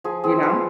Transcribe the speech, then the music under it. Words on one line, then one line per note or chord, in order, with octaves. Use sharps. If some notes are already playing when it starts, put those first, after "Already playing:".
you know?
F3 G#4
C4 G#4
F4 B4